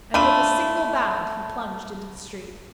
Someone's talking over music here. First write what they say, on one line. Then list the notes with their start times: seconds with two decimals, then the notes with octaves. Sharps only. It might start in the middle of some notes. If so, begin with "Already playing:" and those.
And with a single bound he plunged into the street.
0.14 A3 D4 F4 B5 D#7